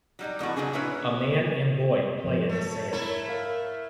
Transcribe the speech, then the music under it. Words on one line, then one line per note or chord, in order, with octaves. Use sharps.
A man and boy play in the sand.
F#3 G3 D#4
F2 A2 B3 F#4
A#2 C#3 F#3 D4 G#4
A#2 C#4 E4 B4 C#5
G#2 F3
A3 C#5
A3 E4 A4 A#4
A#4 F5